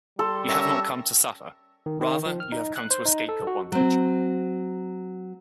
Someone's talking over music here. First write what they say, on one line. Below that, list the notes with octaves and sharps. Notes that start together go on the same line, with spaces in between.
You have not come to suffer; rather, you have come to escape your bondage.
G3 A4 C6
C#4 A#4 E5 E6
D#3
D#3
F3
F6
D#4
F#6
C5
D#4
A4
F#4
F#3 C4